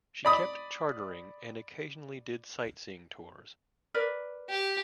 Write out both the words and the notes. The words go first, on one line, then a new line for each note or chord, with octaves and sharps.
She kept chartering and occasionally did sightseeing tours.
D5 B5 D#6
A#4 B4 D5
G4